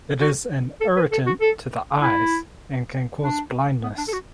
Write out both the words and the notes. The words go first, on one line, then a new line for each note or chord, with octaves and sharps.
It is an irritant to the eyes and can cause blindness.
F#4
A4
B4
A4
F#4
A4
E4
D4
B3
D4
A4
F#4